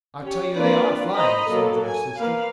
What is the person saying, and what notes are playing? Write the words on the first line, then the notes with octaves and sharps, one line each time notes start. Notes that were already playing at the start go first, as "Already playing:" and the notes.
"I tell you they ARE flying," the soldier insisted.
C#4 G4 C#5
A#3 C4 D4 F4 B4 D5
C5 D#5 A#5 B5
F#3 A#3 A4
G#5
A#3 B4 F5